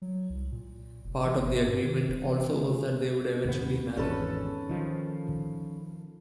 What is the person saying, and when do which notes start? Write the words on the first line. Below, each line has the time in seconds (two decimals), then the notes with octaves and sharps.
Part of the agreement also was that they would eventually marry.
0.02 F#3
0.30 C2
0.52 A#2
1.04 F1
1.24 E3
1.38 G1
1.56 A#2
1.67 G2
1.84 D#3
2.08 E1
2.26 E3
2.48 D3
3.45 D#2 A2 B3
3.97 G#1 E2 C#4 A4 B4
4.69 D#3 F3